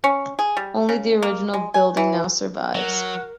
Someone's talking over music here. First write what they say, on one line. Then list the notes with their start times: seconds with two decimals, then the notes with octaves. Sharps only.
Only the original building now survives.
0.04 C#4
0.39 G#4
0.57 G3
0.89 C#3
1.23 A#3
1.54 G#3
1.74 G#5
1.97 E3
2.75 F#3 A#4 F#5